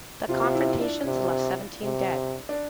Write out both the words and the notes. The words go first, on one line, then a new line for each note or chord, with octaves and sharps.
The confrontations left seventeen dead.
C3 F4
F4
E4
D4
C3
C3
D4